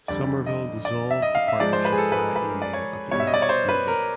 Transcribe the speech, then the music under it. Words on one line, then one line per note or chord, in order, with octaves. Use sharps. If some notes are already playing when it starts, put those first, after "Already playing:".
Somerville dissolved the partnership via email at the end of the season.
F2 D3 G3 D5
D#5
D5
E5
D#5
F5
E5
G#2 F3 G#3 D5
C5
B4
G#4
A4
B4
A#4
B4
A#4
D5
C#5
B2 G3 C#5
E5
D#5
D5
C#5
C5
B4
A#4